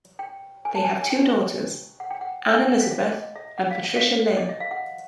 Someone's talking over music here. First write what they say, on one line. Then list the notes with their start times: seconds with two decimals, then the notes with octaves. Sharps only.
They have two daughters, Anne Elizabeth and Patricia Lynn.
0.19 G5
0.65 G#5
0.76 A5
0.85 G#5
1.02 G#5
1.10 G5
2.00 F#5
2.11 G5
2.21 F#5
2.54 G#5
2.63 G5
2.72 F#5
2.81 F5
2.91 E5
3.13 D#5
3.36 E5
3.58 F#5
3.71 F5
3.84 E5
3.96 F5
4.37 D#5
4.49 E5
4.60 F5
4.71 F#5